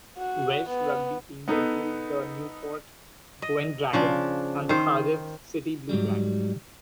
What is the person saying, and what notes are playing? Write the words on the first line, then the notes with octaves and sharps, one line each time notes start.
Welsh rugby teams include the Newport Gwent Dragons and the Cardiff City Blue Dragons.
F#4
B3
B3 D#4 A4 B4
D#5
C#3 F3 D4
D#3 C5
G#2 F#3 G3